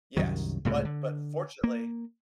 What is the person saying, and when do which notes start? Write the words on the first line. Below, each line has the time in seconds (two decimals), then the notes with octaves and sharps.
Yes, but but fortunately
0.17 C2 F#2 D#3 F#3
0.65 C#2 A2 C3 G#3
0.85 D3
1.64 A#3